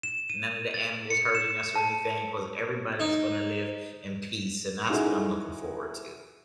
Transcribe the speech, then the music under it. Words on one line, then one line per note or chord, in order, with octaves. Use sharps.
None of the animals hurting us or anything, 'cause everybody's gonna live in peace, and that's what I'm looking forward to,
E7
D#7
A6
C#7
E7
A5
D#4
C#4 D#4 E4 F#4 G#4 A4